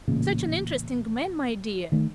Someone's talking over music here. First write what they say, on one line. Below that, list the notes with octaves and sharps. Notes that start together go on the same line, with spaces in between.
Such an interesting man, my dear.
A1 A#2 C#3
D#3 A3